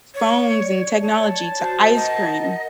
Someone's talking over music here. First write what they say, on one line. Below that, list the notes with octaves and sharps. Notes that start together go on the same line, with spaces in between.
phones and technology to ice cream.
C#5
D5
C#5 A5
F#4 C5
A#4 D#5 F#5 A#5